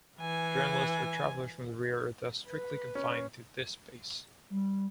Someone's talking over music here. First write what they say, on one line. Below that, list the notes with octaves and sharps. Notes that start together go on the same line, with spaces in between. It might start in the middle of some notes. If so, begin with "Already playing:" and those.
Journalists or travelers from the rear are thus strictly confined to this space.
E3 G#5
B4
C#4
G3